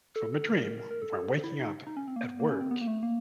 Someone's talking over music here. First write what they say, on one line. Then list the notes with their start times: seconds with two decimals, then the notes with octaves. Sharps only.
from a dream where I'm waking up at work,
0.16 A4
0.33 A4
0.49 A#4
0.79 A#4
0.91 A#4
1.02 A4
1.44 E4
1.59 D#4
1.87 D#4
1.97 C#4
2.08 C4
2.16 A#3
2.24 B3
2.40 A#3
2.51 C#4
2.61 C4
2.71 B3
2.81 A#3
2.87 A3
3.03 A#3